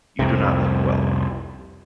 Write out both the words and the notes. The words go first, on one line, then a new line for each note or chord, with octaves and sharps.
You do not look well.
C2 F2 C3